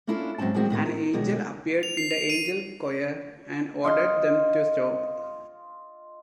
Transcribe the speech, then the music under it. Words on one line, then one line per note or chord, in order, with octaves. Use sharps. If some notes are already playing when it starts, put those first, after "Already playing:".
An angel appeared in the Angel Choir and ordered them to stop.
A#3 C#4 D4 E4 F4 A4
G#2 F#3 C4 C#4 A5
A2 D#3 G3 G#3 C4 F#4
A2 D#3 A3 B3
A#4
F#2 B2 D3 D#3 G#3
F7
C7
F7
D#7
F4 D#5 C6